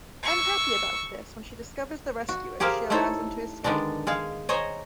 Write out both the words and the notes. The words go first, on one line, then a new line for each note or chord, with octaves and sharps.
Unhappy about this, when she discovers the rescuers, she allows them to escape.
C#6 E6
F#4
G4 G#4 A#4 C5 F5
A3 D#4 E4 A4 C5 C#5
D3 D#3 G#3 B3 D4
G#3 G#4 F5
C5 C#5 D#5 G#5 A#5